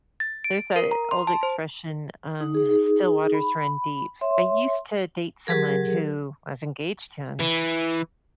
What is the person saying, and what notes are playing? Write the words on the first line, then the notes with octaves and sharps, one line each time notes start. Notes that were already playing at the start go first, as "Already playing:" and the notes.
there's that old expression, um, "Still waters run deep." I used to date someone who- I was engaged to him-
A6
D7
A#4
A#5
C6
A5
C5
D#4
D#4 G#4
B5
C#5 E5 C6
F#3 G4 G#4 A#4
E3